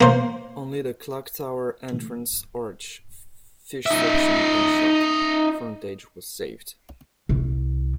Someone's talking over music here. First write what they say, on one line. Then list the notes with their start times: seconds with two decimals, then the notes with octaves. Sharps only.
Only the clock tower, entrance arch, fish section and shop frontage was saved.
0.01 A#3 C5
3.86 D#4 E5
7.29 C2